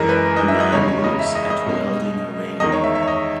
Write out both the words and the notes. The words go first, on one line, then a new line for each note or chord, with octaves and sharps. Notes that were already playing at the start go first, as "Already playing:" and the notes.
A man works at welding a railing.
Already playing: F#2 E3 G#3 A#4
B4
D#5
E5
D#5
E2 C#3 G#3 C#5
C#5
D#5
E5
D#5
D#5
B2 G#3
E2 D#3 G#3 D#5
C#5
E5
E5
C#5
D#5